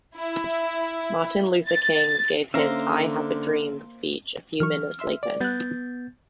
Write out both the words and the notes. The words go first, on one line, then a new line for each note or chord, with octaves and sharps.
Martin Luther King gave his "I Have a Dream" speech a few minutes later.
E4
A6
D3 A#3 C#4 C5 E5 F5 A#5
E3 F#3 C#6 F6
E5 C6 E6
D5
G3 B3 F#6 G6 A6